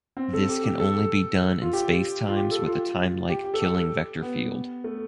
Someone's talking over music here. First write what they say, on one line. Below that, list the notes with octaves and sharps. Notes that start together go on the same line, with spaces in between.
This can only be done in spacetimes with a timelike Killing vector field.
C4
A4
G4
G4
A4
F4
G4
F4
G4
A4
F4
G4
G4
A4
G4
B3
A3